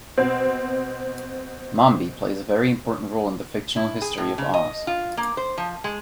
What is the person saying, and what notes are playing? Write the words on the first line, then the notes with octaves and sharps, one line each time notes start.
Mombi plays a very important role in the fictional history of Oz.
B2 C4
E4
G#4
A2
C#3
D#5
F4
A#3
C5
F3
G#3